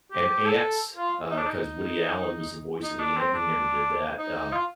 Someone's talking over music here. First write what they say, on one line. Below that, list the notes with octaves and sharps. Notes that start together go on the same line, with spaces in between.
and Ants, uh, 'cause Woody Allen was the voice of the ant, he never did that, um,
G4
A4
F4
D#4
D4
D#4
D#4
D4
C4
D4
D#4
F4